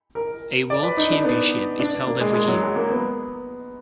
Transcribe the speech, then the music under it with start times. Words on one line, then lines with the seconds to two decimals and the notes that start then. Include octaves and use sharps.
A World Championship is held every year.
0.15 A#4
0.70 D5
0.83 B4
0.97 D#4
1.11 D4
1.25 B3
1.80 D4
2.07 A#3
2.21 G#3
2.34 G#3
2.48 F#3
2.62 G#3
2.76 A#3
2.90 B3